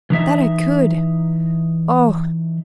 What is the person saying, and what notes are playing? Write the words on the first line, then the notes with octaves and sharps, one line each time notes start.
That I could!--Oh!
E3 D#4 E5